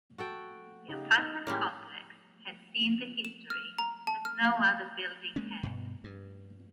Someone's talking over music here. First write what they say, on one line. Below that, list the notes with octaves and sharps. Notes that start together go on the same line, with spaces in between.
The apartment complex had seen the history as no other building had.
F#4 A4 G5
C#3 D#4 G4
D#4 F6 G6
A2 G3 G#3 A#3 C#4
E7
F6
A#5
A5
F6
F5
G#3 A#3 C#4
G2 B2
G2